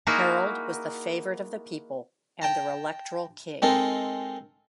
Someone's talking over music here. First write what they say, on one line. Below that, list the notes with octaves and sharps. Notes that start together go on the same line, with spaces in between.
Harold was the favourite of the people, and their electoral king.
A#3 D#4 E4 F#4 G#4 A#4
G5 A5 A#5
G#3 C4 D#4 A4 A#4